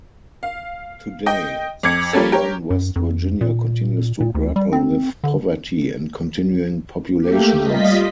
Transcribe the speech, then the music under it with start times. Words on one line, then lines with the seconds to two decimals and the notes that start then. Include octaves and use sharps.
Today, Southern West Virginia continues to grapple with poverty and continuing population loss.
0.43 F5
1.26 D#5 G5
1.83 F2 D6 G#6 C#7
2.13 F3 G3 A#3 C#4 A4
2.32 G4 A#4 C#5
2.70 F#2
2.96 F2
3.41 A#2
4.20 A#2
4.35 D2
4.56 G3
4.73 C4
5.23 D3
7.20 A3 A#3 G4
7.62 G3 F4 D#5 B6